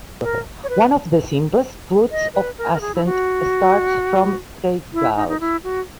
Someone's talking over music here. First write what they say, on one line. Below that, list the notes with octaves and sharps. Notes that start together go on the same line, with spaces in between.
One of the simplest routes of ascent starts from Craighouse.
A#4
C#5
B4
D#5
B4
A#4
A#4
G#4
E4
F#4
E4
D#4
D#4
E4
F#4